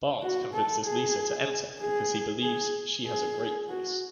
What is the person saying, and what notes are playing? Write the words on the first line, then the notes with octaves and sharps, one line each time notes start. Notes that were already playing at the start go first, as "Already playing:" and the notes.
Bart convinces Lisa to enter because he believes she has a great voice.
F#4
A4
G#4
G#4
G#4
G#4
F#4